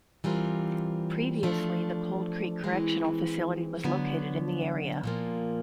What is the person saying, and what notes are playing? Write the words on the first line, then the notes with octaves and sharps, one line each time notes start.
Previously the Cold Creek Correctional Facility was located in the area.
E3 G3 C4 F4 A#4
F3 A3 D4
E3 G#3 C4
D3 F#3 B3
A#2 F3 A#3